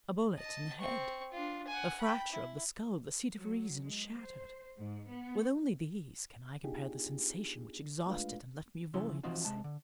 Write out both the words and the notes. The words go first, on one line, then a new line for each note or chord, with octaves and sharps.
A bullet in the head, a fracture of the skull, the seat of reason shattered--with only these can I compare the sensation which exhausted and left me void of sense.
D#5 A5
C4 C#6
D4 F4
F#5 G#5
G5 B5
E4
F#3
G#3
C5
G#2
B3
B3 D4 D#4 F4 G4 G#4
G#3 A3 D4 F4 B4 F5
C#3 F3 C#4 E4 C6
E3 F3 C4 D#4 F4 F#4
C3 G#3 A5
D3